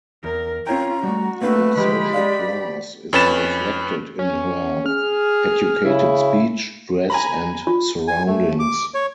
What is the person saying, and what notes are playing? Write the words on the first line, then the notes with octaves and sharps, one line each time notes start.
Her social class is reflected in her "educated speech, dress, and surroundings".
E2 A#4
C4 C#4 F4 C#5 G5 A#5
G3 A3 F#4
A3 A#3 C4 D4 B4
D3 E3 F3 G#3 G4 B5
D5 F5
F2 C#4 B4 B5 A6 E7
C#4
G#4 F6
C#3 E4
G#5 A#5 B5
F4
G#5
A3
D6
C#5